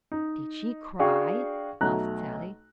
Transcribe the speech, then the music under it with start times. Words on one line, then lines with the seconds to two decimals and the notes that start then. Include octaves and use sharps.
"Did she cry?" asked Sallie.
0.12 D#4
0.99 D4 F#4 G#4 F5 G5 C#6
1.81 B1 A3 F#4 A#5 F#6